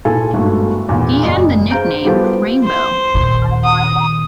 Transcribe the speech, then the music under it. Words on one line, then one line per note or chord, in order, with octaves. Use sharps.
He had the nickname "Rainbow".
A#2 E4 A4 G#5
G1 G#2 A3 A#3 F#4
E2 A#2
F#1 D5 D#5
G#4 C5 F5 A#5 G6 D7
G3 B3 F4 G4 A4 C5
C5
D#2 A#2
D#6